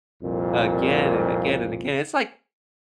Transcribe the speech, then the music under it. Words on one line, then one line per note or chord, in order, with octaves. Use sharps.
Again and again and again. It's, like,
C2 F2 A#2